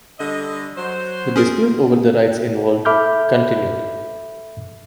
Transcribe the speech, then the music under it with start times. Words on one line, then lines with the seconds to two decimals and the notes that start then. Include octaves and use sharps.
The dispute over the rights involved continued.
0.19 D3 G3 D#5
0.77 F#3 C5
1.36 C#4 G#4 A#4
2.85 A4 E5 B5 D6 F6 G6